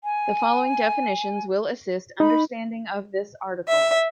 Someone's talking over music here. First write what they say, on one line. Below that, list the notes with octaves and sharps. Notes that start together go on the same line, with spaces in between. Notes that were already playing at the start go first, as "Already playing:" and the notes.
The following definitions will assist understanding of this article.
G#5
D#4 B5
E5